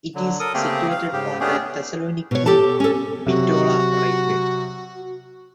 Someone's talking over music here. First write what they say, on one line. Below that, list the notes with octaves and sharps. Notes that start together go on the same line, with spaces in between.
It is situated on the Thessaloniki–Bitola railway.
D3 F#3
A4 A#4 D#6
C#3 A3 A#3 C4 G4 G#4
F5
G#2 C#3 G4
A3 B3 C#4 D4 G4 G#4
B2 C#5
G4 A4 A5
C#4 A4
C3 F#3 F#4